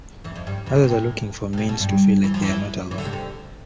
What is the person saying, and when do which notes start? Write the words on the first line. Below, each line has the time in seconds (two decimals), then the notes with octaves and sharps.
Others are looking for a means to feel like they are not alone.
0.24 E2 E3
0.35 F2 F3
0.47 G2 G3
0.66 E2 E3
0.75 D2 D3
0.84 C3
0.91 A2
1.53 A2
1.58 B2
1.69 B2
1.80 G2
2.24 E3
2.34 F3
2.42 E2 E3
2.91 E3
2.98 D3
3.05 C3
3.13 D2 D3